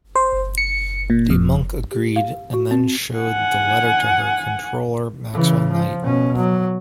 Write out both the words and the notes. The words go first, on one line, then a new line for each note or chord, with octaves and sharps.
De Muncke agreed and then showed the letter to her controller Maxwell Knight.
C5
C#7
A#2
F2
G4
F5
F#4
C4
F#5 G#5
C#3 E3
F3
B2 C#4
F#3